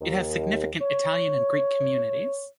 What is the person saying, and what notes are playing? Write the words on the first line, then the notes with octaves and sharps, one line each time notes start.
It has significant Italian and Greek communities.
D#2
C#5